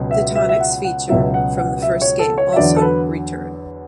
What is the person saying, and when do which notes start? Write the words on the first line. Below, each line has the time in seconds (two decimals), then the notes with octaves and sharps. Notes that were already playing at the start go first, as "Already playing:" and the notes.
The "Tonics" feature from the first game also return.
Already playing: C#2 B2 F#3
0.11 E5
0.35 E5
0.49 E5
0.60 F#5
0.84 F#5
1.09 C#2 B2 F#3 E5
1.34 F#5
1.58 F#5
1.82 E5
2.02 C#5
2.19 A4
2.38 C#5
2.52 E5
2.56 E2 D3 F#3 D5
2.76 A4
2.82 B4